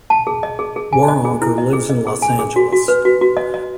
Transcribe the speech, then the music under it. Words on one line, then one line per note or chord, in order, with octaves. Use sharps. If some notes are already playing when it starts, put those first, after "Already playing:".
Waronker lives in Los Angeles.
A5
G#4
D#5
G#4
G#4
G#5
D#5
G#4
E4
D#5
G#4
D#5
G#4
G#5
G#4
F#4
F#4
B4
F#4
F#4
D#5
D#5